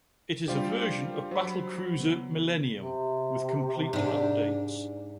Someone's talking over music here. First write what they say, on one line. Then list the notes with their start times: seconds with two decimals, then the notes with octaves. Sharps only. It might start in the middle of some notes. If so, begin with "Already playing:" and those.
It is a version of "Battlecruiser Millennium" with complete updates.
0.48 G3 D4 F4 G4 C5 D5
1.31 F#3 C5 B5
1.97 C#3 B3
2.75 C3
3.93 G#2 D4